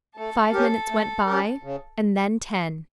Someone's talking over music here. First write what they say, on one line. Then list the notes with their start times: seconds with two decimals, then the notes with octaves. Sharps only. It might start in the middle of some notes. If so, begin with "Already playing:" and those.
Five minutes went by and then ten.
0.16 A3 A4
0.53 C#4 G4 A#4
0.90 A3
1.26 C#4 G4 A#4
1.63 C#3